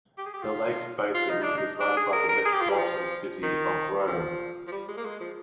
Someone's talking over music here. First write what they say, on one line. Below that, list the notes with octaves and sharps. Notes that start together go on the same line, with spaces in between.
The lake basin is run by the Metropolitan City of Rome.
G4
G#4
G4
F4
F4
D#4
D4
D#4
D4
G#4
A#4
A#4
G#4
G4
F4
G3
F3
D#3
G3
F3
F3
G3
G#3
A#3
G#3
F3